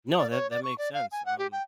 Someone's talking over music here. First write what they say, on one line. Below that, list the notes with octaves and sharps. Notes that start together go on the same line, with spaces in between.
No, that that makes sense, um,
D5
C#5
D5
C#6
D5
F5
G#5
F#5
G4
G5